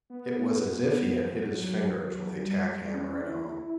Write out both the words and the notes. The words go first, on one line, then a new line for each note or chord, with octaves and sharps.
It was as if he had hit his fingers with a tack hammer at home.
B3
F#3
G3
G3
C#4
E4